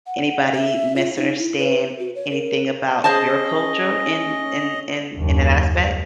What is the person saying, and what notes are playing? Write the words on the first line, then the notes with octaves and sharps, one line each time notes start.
anybody misunderstand anything about your culture in in in in that aspect?
F#5
E5
F4
D#4
E4
B4
F#4
C#5
A#4
C#4 G#4 C5 D#5 A5
F#1 D#2